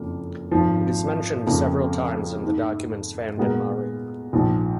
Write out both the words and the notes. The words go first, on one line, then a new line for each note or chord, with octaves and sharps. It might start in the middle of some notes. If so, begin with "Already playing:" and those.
It is mentioned several times in the documents found in Mari.
Already playing: F#1 F2 F3 A#3
G#1 G#2 F3
F2 C#3 F3 A#3
G#2 D#3 A#3
A#2 G#3 B3 F#4 A#4
A#1 G#2 F3